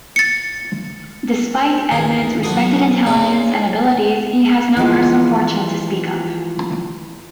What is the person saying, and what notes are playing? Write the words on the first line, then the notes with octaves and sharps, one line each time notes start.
Despite Edmund's respected intelligence and abilities, he has no personal fortune to speak of.
A6 C#7
D#2 D#3 E3 G#4
B1 F#4 A4 B4 D#6
C#3 D#4 G#4 A4 C5 D5
E3 F3 G#3 F4